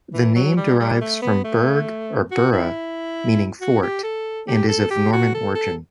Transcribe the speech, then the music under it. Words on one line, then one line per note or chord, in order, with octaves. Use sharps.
The name derives from "burg" or "burgh", meaning fort, and is of Norman origin.
E3
F#3
G3
G3
A3
B3
A3
F#4
E4
F#4
G4
A4
G4
A4
G4
F#4
A4
A4